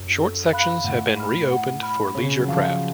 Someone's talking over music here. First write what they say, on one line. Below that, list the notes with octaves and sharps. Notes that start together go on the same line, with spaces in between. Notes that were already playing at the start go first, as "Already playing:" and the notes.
Short sections have been reopened for leisure craft.
Already playing: F#2
A4
F5 B5 F#6
A2 F#5
B5 F6
F#5
B5 F6
C#3 C#5
F#3
F3 F5 A5